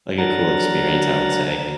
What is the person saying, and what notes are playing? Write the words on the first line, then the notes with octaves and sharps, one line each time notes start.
like a cool experience, I would say.
F#3 D4 A#4 F#5 A#5 A6